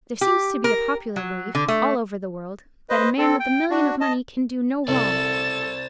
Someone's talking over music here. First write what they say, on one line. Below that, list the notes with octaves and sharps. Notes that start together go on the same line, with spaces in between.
There seems to be a popular belief, all over the world, that a man with a million of money can do no wrong.
G4
A#4
F#3
D3
A3
B4 C5 D#5
C4 A4
G5
D4 F#4
D#5 A5
C2 A4 C5 D5 A6 E7